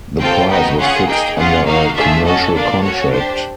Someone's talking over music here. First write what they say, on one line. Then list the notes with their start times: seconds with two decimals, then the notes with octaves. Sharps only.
The price was fixed under a commercial contract.
0.19 C4 F4 A4 G5
0.49 B3 D#4 F#4 G5
0.78 C#4 F4 G#4 F#5
1.07 A#3 D#4 G#4 G5
1.37 C#4 F4 G#4 F#5
1.65 A#3 D#4 F#4 F5
1.95 A3 D4 F4 G#4 E5
2.24 C#4 F#4 A4 D#5
2.54 A#3 D4 F4 D5
2.83 C#4 F#4 A4 C#5
3.12 D4 G4 C5